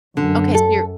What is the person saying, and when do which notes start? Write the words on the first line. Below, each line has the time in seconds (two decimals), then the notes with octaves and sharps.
Okay, so your
0.17 F#2 D3
0.55 A4